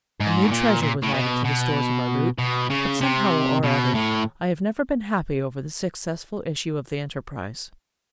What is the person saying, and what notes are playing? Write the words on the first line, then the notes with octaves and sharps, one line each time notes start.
A new treasure was added to the stores of our loot, but somehow or other I have never been happy over the successful issue of the enterprise.
G#2
A2
A#2
A#2
A2
B2
B2
B2
C#3
C3
B2
A2